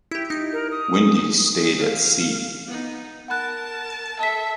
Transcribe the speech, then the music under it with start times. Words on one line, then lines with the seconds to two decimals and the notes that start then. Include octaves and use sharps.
Wendy stayed at sea.
0.11 E4 G4
0.30 D#4
0.53 A#4
0.71 D#6
1.77 F5
2.67 B3 D#4
3.28 A#4 F#5 A5 B5 F#6
4.19 A4 E5 A5 B6